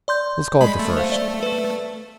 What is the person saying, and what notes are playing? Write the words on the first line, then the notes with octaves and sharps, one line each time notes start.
Let's call it the first.
D5 C6 G6
G#3 B5
A3
C5 F5
D5
B4